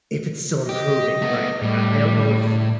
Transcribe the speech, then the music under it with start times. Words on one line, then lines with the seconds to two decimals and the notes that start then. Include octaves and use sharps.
if it's still improving, right. Like, I I don't know if
0.69 G4 D#5
1.22 A3 B3
1.62 A2 G3